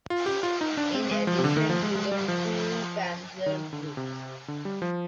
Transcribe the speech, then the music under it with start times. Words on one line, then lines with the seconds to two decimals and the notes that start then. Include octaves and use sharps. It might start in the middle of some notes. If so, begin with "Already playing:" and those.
In addition to the two panzer groups.
0.10 F4
0.26 G4
0.43 F4
0.61 D#4
0.77 D4
0.94 C4
1.11 G#3
1.27 F3
1.39 C3
1.44 D3
1.57 D#3
1.70 F3
1.83 G#3
1.95 G#3
2.12 G3
2.28 F3
3.46 D#3
3.73 D3
3.97 C3
4.48 D3
4.65 G3
4.82 F3